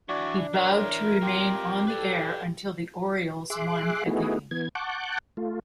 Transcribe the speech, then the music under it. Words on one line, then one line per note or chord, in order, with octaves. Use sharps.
He vowed to remain on the air until the Orioles won a game.
E3 D4 F#4 D5
E3 A#4 C#5 C6
C4 F4 G4 C6
A4 B4 D5
G#4 E5 C6 D6 F#6
A3 B3 D#4 E4 F#4 G#4
E3 B3 G#6
F#5 A5 C#6 D6 F#6 G6
A3 F4